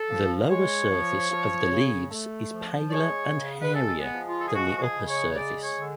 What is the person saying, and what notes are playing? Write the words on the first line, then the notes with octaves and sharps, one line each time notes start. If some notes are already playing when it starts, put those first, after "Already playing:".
The lower surface of the leaves is paler and hairier than the upper surface.
Already playing: A4
F3
G#3 C#5
F3
F3
C#3
A3
F3
D5
G#3 C#5
C#3
B4
G#3 A4
B3
F3
F4
A4
G#4
G#3 F#4
F#4
G#4
C#3
C#5
C#5
G#3 D5
C#5
D3